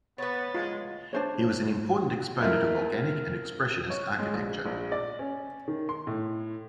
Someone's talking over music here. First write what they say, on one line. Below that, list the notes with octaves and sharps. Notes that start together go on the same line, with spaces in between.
He was an important exponent of organic and expressionist architecture.
B3 B4 C#5 A6
G#3 F4
D4 C5 C#5
A3 A#3 E4 F4
C#5
G#3
A#1
A#1
D5
C#4
D#3
C6
A2